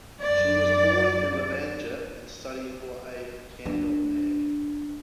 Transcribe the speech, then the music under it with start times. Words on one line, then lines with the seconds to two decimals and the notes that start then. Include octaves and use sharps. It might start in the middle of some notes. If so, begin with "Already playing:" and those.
She was born in Levanger, and studied for a cand.mag.
0.21 F#2 D5
3.66 D4